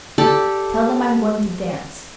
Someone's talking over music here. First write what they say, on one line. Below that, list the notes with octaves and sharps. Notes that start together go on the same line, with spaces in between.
Tell them I'm going to dance.
G4 A4 D5